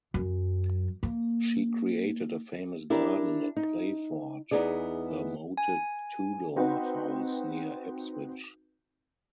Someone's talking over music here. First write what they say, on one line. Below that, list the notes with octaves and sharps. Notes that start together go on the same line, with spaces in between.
She created a famous garden at Playford, her moated Tudor house near Ipswich.
F#2
A#3
D4 E4 G4 A#4
D#4
E2 B3 D#4 G#4 D5
G#5
C4 D#4 F#4 B4